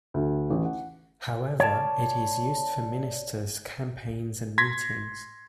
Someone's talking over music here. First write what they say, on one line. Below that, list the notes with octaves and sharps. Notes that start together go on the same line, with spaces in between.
However, It is used for ministers campaigns and meetings.
D2
A1
F#5
C#5 D5 G#5 A5
C6 G#6 A#6 B6